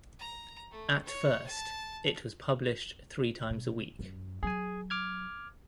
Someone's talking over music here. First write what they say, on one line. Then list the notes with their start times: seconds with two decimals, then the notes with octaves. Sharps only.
At first, it was published three times a week.
0.19 A#5
0.71 A3
1.05 C#5
1.46 A5
3.51 B2
3.99 F#2
4.43 F#3 G#4 G#5
4.90 D6 F6 G#6